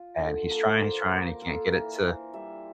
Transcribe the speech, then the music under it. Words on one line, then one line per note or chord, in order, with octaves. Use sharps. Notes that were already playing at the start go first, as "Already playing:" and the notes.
and he's trying, he's trying, he can't get it to
Already playing: F4
D3
A#3 A4
A#3 C5
A#3 A#4
A#3 A4
E3 A#4
E3 C5
G3 E5